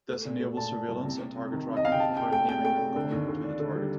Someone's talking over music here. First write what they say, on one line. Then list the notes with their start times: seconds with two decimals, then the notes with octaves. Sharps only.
This enables surveillance and target tracking without aiming the gun to the target.
0.09 A3
0.25 A#2
0.40 A3
0.56 A#2 A5
0.72 A#2
0.89 C2
1.05 C3
1.20 C3
1.36 C3
1.53 D#3
1.69 C3
1.77 D#5
1.84 C3 F5
1.92 G5
2.00 C3 A5
2.17 C3 G5
2.32 A3 G5
2.49 C3 G5
2.64 A3 G5
2.79 C3
2.96 D3
3.12 D#2
3.28 D3
3.43 D4
3.60 D3
3.75 G3